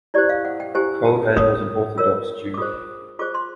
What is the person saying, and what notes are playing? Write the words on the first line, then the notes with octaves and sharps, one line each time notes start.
Cohen was an Orthodox Jew.
E4 G4 C5 D5
F5
F#5
G5
E4 G4 C5 G#5
A5
F4 A#4 C#5 D#6
F4 A#4 C#5 E6
D6
F4 G#4 C5 D#6
F4 G#4 C5 D6
C6